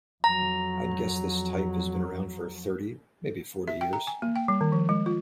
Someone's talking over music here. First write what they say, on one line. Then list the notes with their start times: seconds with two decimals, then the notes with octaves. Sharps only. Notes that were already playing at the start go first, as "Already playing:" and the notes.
I'd guess this type has been around for thirty - maybe forty - years.
0.24 F2 F#3 A#5
3.68 E5
3.81 G5
3.93 A#5
4.07 G#5
4.22 A#3
4.36 G5
4.48 G3
4.61 D#3
4.72 F3
4.89 G#3
5.06 F4